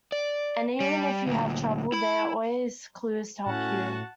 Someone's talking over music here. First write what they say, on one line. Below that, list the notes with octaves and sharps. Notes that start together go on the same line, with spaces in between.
And even if you have trouble, there are always clues to help you.
D5
G3
D2 A#2
E4 B5
A2 C#4 F#4 F#5 A5